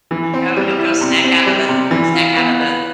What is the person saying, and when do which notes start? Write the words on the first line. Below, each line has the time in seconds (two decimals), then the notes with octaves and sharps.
Oh, he'll go snack out of the snack out of the
0.11 E3
0.34 C4
0.57 G3
0.79 E4
1.01 C3
1.24 C4
1.46 G3
1.69 C3
1.91 E3
2.14 F4
2.36 B3
2.59 B4